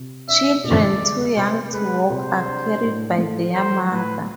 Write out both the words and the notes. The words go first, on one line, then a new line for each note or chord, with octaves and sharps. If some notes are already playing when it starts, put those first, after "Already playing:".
Children too young to walk are carried by their mother.
Already playing: C3
D4 E5
C3 D5
G#3
C3 C5
G#3 B4
C3 C5
D4
A2
A3
F3 C5
A2 B4